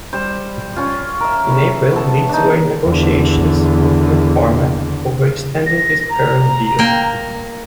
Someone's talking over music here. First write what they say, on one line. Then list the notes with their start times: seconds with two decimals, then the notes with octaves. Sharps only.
In April, Leeds were in negotiations with McCormack over extending his current deal.
0.13 G3 C5
0.76 C#4 F4
1.20 A#4 E5
1.50 B5
1.92 B3 A4
2.29 D4 D#4
2.84 E2 D3
5.66 A#6
6.10 A#5
6.79 A#3 G5